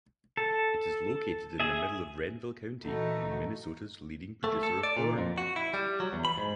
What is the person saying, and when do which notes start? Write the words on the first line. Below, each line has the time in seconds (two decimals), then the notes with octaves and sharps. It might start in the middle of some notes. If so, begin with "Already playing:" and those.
It is located in the middle of Renville County, Minnesota's leading producer of corn.
0.37 A4
1.60 G#4 E5
2.82 A#2 E3 A3 D#4 F#4
4.44 A3
4.63 A4
4.83 D5
4.97 A#2
5.18 F2
5.38 F#4
5.56 E4
5.74 G3
6.00 F#3
6.13 E2
6.25 B5
6.37 G#2